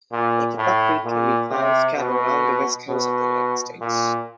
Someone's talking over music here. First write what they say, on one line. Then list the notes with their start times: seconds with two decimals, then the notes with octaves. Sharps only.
Naked buckwheat can be found scattered around the west coast of the United States.
0.12 A#2
0.57 A2
1.04 A#2
1.51 C3
1.97 B2
2.89 B2
3.81 A#2